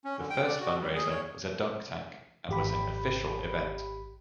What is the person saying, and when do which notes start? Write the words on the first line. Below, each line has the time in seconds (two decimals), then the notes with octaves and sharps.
The first fundraiser was a dunk tank and was an "official" event.
0.05 C#4
0.19 D3
0.30 G5
0.44 D5
0.60 F#4
0.81 G3
0.95 G#4
1.10 C#5
2.49 G#1 G4 B5